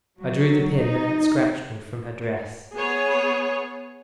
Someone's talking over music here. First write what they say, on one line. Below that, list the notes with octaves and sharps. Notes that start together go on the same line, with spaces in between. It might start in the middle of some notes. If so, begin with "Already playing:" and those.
I drew the pin that had scratched me from her dress.
F#3
D#4
B3 G#4 C#5